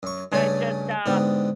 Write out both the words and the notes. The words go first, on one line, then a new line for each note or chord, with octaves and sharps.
I just, uh,
F#2 C#6
G2 C#3 A3 C#4 D5 G#5
G#2 D3 B3 G4